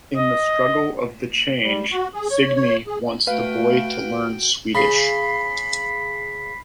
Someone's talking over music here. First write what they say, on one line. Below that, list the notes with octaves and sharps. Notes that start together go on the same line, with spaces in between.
In the struggle of the change Signe wants the boy to learn Swedish.
D#5
G3
F#4
G#4
C#5
C#5
G#4
A3 F#4 B4 F5 G5
C#3 B5 B6 C7